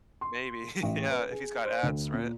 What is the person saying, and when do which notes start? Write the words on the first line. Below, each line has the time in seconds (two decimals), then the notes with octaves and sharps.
Maybe, yeah, if he's got ads, right?
0.21 C6
0.83 A1
1.10 B4
1.31 G#4
1.65 C5
1.83 D2
2.14 A#2